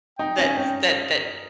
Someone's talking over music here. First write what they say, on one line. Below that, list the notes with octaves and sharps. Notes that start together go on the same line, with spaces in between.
that's that that
D#4 G5
C#4 G#5
C#4 G5